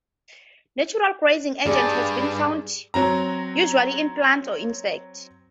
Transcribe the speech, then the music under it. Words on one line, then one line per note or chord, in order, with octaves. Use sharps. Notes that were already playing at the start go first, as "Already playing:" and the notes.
Natural glazing agents have been found, usually in plants or insects.
G2 G4 G#4 D5
F#3 C4 A#5